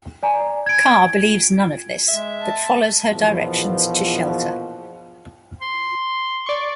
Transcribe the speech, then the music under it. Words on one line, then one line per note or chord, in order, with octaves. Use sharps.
Carr believes none of this, but follows her directions to shelter.
D5 G#5 A#5
G#6 D7
G#3 E5
A5
A#1 E2 B2 F3
C6
D5 C#6